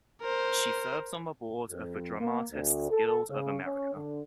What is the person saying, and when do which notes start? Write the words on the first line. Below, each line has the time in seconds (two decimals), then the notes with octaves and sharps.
She serves on the board of the Dramatists Guild of America.
0.21 A#4 C5
1.69 F2
2.21 A#3
2.52 D2
2.90 A4
3.30 C#3
3.64 C#4
3.94 D3